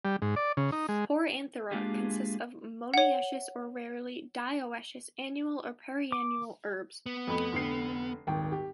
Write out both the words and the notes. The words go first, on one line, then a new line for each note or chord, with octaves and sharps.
"Poranthera" consists of monoecious or rarely, dioecious annual or perennial herbs.
G3
G#2
D5
C#3
D#4
G#3
G#3 A#3 D4 F4 G4 G#4
C#5 F#5
D6
B3
F2 A3 B5
F1 D3 C7
D#1 G#1 G5
G4